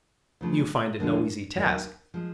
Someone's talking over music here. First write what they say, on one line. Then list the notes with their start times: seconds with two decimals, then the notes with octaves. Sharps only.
You find it no easy task.
0.41 D2 C#3 F3
0.99 D#2 D3 F3 G#3
1.56 D#2 D#3 F#3
2.14 F3 G#3